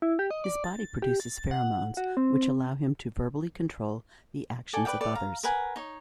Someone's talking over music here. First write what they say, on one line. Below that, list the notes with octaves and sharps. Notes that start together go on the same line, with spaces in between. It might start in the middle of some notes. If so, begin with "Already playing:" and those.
His body produces pheromones which allow him to verbally control the actions of others.
E4
G4
D#5
D5
A6
G4
A6
F#5
F#4
C4
A4 D5 G5 G#5
B4 D5 F5 G5
G4 A4 B4 D5
F5 A#5
A#4 B4 F#5 G#5
D#4 C#5